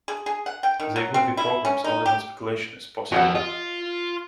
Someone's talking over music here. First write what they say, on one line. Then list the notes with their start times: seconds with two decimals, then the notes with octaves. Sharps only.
They would be problems only when speculation is possible.
0.08 G#4
0.26 G#4
0.46 F#5
0.63 G5
0.80 D#3
0.96 F#3
1.14 C4
1.37 E4
1.65 C#4
1.84 D#4
2.06 G4
3.12 F2 F#4 F5 F#5
3.35 F4 D#5